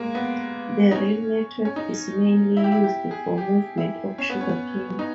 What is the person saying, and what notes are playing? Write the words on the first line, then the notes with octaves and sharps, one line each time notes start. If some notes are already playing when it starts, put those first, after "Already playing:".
The rail network is mainly used for movement of sugar cane.
Already playing: G#3 A#3
B3
D#4
C#4
C#4
D#4
E4
G4
E4
G4
G#4
G4
E4
C#4
B3
C#4
D#4